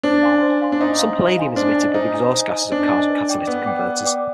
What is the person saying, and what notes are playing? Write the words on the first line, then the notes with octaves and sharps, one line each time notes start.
Some palladium is emitted with the exhaust gases of cars with catalytic converters.
D4 C5
F5 G#5 C6
C5
F5 G#5 C6
D4
D#4 C5
F5 G#5 C6
C5
F5 G#5 C6
D4 C5
G#5
D#5
D#4 C5
D#5 G#5
C5
D#5 G#5
D4 C5
D#5 G#5
B4
D5 G5 D6
B3 B4
D5 G5 D6
B4
D5 G5 D6